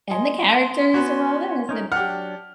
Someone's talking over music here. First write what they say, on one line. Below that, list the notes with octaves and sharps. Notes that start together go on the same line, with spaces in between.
And, the characters and all this, and
D#5 G#5 C6
B3 C#4 F#4
C#4 D#4 A#4
F#3 D4 G4 F#5 F6